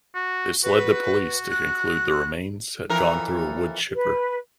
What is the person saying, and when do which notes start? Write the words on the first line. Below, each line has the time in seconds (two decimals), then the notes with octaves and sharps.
This led the police to conclude the remains had gone through a woodchipper.
0.15 F#4
0.64 F#4 B4
1.51 F#6
2.89 F2 E3 A#4
3.93 B4